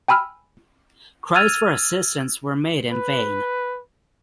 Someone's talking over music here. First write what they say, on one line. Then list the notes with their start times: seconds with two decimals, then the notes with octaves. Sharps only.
Cries for assistance were made in vain.
0.08 G5 G#5 B5 E6 F6
1.34 E6 F6 G#6 A6 D#7 F7
2.92 B4